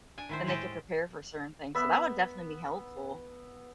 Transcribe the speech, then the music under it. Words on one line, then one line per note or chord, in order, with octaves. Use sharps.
then they could prepare for certain things, so that would definitely be helpful.
D4 G#5
D#3 E4 C5
A2 G#3 G4 D#5 A5
B3 E5